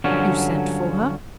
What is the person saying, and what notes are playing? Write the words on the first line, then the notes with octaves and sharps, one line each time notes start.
"You sent for her?"
G2 D3 F3 F#3 C#4